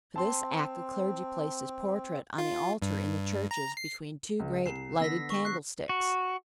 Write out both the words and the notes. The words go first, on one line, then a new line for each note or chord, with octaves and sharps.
For this act the clergy placed his portrait on the altar in the churches between two great lighted candle-sticks.
C4 A5 C6
F4
G2
A#5
C7
C#2
C2 C7 E7
D3 B3 E6 A#6 B6
C#6
F#6 C7
F#4